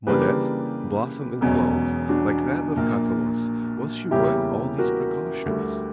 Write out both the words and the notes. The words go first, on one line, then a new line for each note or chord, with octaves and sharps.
Modeste,--blossom enclosed, like that of Catullus,--was she worth all these precautions?
C#3 E3 G3 A#3 D4 G4 B4
E1 E2 B2 F#3 C#4
D4 F#4
A#1 A#2 A#3
E2 C#3 G3 A#3 C#4 E4 G4
F#4 A#4
D2 D3 G3